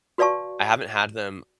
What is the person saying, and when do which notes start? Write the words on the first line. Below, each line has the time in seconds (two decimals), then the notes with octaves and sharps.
I haven't had them
0.18 F#4 B4 D5 F5 A5 C#6